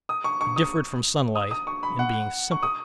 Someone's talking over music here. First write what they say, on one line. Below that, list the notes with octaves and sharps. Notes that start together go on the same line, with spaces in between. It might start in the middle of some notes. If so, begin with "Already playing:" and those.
It differed from sunlight in being simple.
D#6
C#6
C#6
D#6
D#6
D#6
C#6
B5
F#5
C#6
D#6